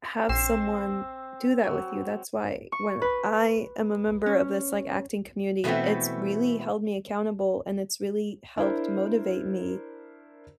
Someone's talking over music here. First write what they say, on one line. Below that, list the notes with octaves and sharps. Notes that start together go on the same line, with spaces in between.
have someone do that with you, that's why when I am a member of this like acting community, it's really held me accountable and it's really helped motivate me
A#1 C4 C7 E7
F#3
C#6
B4
C#4
B2 E3 A3 B3 C4
D4 E4 A#4 C5